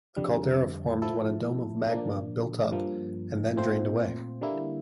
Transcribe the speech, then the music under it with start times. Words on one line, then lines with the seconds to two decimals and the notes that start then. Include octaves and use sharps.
The caldera formed when a dome of magma built up and then drained away.
0.17 F2 D3 G3
1.02 F3 A3 E4 A4
1.87 A#2 F3 A#3 D4
2.71 G2 F3 A#3
3.56 A#2 A3 C4 F4 C5
4.41 D3 G3 A#3 E4